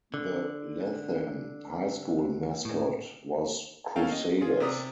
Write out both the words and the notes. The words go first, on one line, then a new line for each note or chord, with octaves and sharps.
The Latham High School mascot was Crusaders.
D3
A2
C#4 A4 A#4 F5 G5
D#5
F4 G#4
C3 D5 A#5 D#6